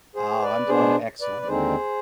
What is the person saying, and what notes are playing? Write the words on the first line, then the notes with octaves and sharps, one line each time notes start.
Ah, I'm doing excellent.
G#4 C5
B4 D5
B2 B3 D4 G#4 C5
B4 D5
D5
D#2 D3 G#3 C4 D#4 G#4 C5